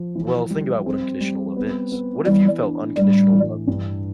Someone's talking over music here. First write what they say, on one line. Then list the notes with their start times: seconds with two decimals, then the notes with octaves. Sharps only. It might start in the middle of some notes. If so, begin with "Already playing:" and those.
well, think about what unconditional love is. What if you felt unconditional love to
Already playing: F3
0.15 E3
0.50 G3
0.86 C4
1.20 G3
1.57 B3
1.92 B3
2.27 E3 G3
2.62 D4
2.97 A2 G3
3.32 E3
3.67 G2